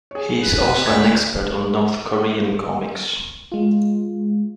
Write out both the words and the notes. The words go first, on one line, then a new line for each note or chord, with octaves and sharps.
He is also an expert on North Korean comics.
G#4 C#5
B4
D2 D5 G#6
G#3 F4